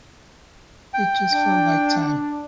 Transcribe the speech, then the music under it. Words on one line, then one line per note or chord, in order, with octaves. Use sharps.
It just felt like time.
G5
D4